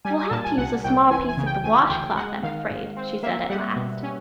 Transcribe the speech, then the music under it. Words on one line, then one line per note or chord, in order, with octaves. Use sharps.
"We'll have to use a small piece of the wash-cloth, I'm afraid," she said at last.
G3 G#5
G#5
A#2 A5
G#5
C2 F#5
C2 G5
E3 G#5
G#5
C#3
G5
D2 G#5
D2 G5
G#3 F#5
D#3 F5
G#2
C4
A#3 E5
G3 F#5
B2
C#4